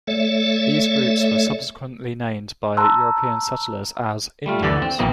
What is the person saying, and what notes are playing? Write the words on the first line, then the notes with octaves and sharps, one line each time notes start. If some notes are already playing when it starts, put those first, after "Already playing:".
These groups were subsequently named by European settlers as "Indians".
A3 A4 C#5 D5 E5
A5 A#5 C6 E6 F#6
G3 A3 F4
D2 D3 E3 A4 D5
C4
A#1 B2 E3 A#3 C4 D#5